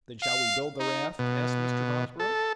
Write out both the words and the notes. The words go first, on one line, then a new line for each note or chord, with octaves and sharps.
"Then shall we build the raft?" asked Mr. Hosbrook.
F5
D#4
B2
A4